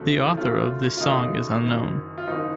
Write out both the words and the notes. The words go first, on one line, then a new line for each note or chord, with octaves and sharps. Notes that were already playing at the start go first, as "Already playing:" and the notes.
The author of the song is unknown.
Already playing: C2 C3 D#3 F#3 A3
D#2 C#3 F#3 A3 F4
F4
D#2 C#3 F#3 A3 D#4
F#1 F#2 D#3
F4
F#1 F#2 D#3 D#4